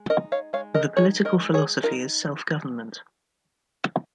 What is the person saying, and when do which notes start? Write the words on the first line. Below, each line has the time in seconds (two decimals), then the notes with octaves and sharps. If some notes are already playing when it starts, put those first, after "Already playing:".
The political philosophy is self-government.
Already playing: G#3
0.10 D#4 A#4 D#5
0.32 C#5 F5
0.53 G#3 C#5 F5
0.74 A#4 D#5
0.97 D#4 G#4 C#5
1.25 A#4 D#5
1.39 G#3
1.54 G#4 C#5
1.83 D#4 F4 A#4